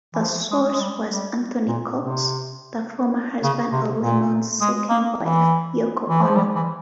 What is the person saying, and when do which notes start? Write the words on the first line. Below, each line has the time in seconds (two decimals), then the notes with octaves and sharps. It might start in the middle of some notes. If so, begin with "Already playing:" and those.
The source was Anthony Cox, the former husband of Lennon's second wife, Yoko Ono.
0.14 E3
0.21 F3
0.51 G#3
0.74 G#3
0.80 G3
1.10 G3
1.68 A#2
1.98 C3
3.43 C#3
3.72 C3
4.01 A#2
4.61 G#3
4.89 A#3
5.19 E3
6.09 E3
6.23 F3
6.36 G3
6.55 E3